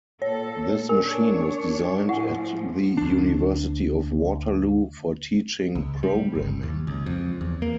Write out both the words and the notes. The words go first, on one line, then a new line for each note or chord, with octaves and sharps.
This machine was designed at the University of Waterloo for teaching programming.
A#2 A4 C#5
D4 A#4 C#5 G#5
A2 F3 E4 F#5 G#5
D2 D4
C#2
G3
G1
D#2
C#2
F2
E2
A#3